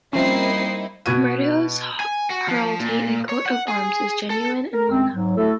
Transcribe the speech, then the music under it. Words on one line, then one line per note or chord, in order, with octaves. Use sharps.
Medeiros heraldry and coat of arms is genuine and well known.
F3 G3 A#3 C4 C#4 D#4 E4 C7
B2 B3 F#4 G#6 D#7
G#5
F#4
F3
A#2
C#5
F#5
G#4
A4
A#4
F#2 D#3 C4
G#2 F#3
A3 E4 F#4 A4